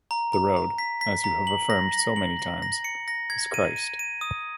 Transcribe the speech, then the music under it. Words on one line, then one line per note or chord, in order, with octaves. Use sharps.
The road, as you have affirmed so many times, is Christ.
A#5
A#5
A#5
B6
B6
A#5
F#7
A#6
A#6
F#7
A#6
A#6
C#7
A#6
G#6
D#7
D#7
D#7
D#6